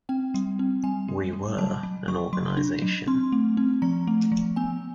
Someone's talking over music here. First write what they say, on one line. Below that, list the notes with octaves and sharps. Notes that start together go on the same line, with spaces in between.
We were an organization.
C4 G5
G3
C4
G3 G#5
G3
G3
F#3 A5
F#3
F#3 C#6
F#3 C6
D4
F#3
C4 C6
A3
C4
F3 A#5
A3
F3
B3 G#5